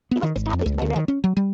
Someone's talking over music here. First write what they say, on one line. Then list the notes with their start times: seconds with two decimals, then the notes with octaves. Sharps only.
It was established by Revd.
0.11 B3
0.23 D#3
0.36 G#1
0.53 F2
0.66 C#2
0.82 D2
0.96 D#3
1.08 C#4
1.24 F#3
1.37 G3